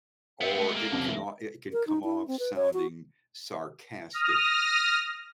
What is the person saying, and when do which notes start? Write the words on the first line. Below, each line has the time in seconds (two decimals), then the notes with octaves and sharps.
Or it cannot it can come off sounding sarcastic
0.41 B3 C4 E5 G5
0.56 G#3 A3
0.74 C3 A#3
0.92 C2 F2 C#3
1.05 E3 A3
1.73 A#4
1.87 D#4
2.04 E4
2.28 C4
2.39 B4
2.56 C#5
2.74 F#4
4.13 D#6 F6 A#6